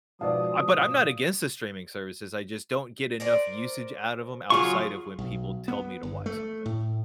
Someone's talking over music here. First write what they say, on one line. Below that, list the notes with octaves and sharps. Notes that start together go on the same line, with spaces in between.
uh, but I’m not against the streaming services, I just don’t get enough usage out of 'em, outside of when people tell me to watch something.
G#2 B2 F3 D5 F5 D#6
A#4 C5 D5
C#3 F#3 F4 G#4 C#6
B1
B3
G1
A3
A2